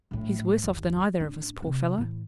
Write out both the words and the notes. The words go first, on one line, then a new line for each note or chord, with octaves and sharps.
He's worse off than either of us, poor fellow.'
A#1 A2
F#1 D#2
A1 D4
C3 C4
A2 E3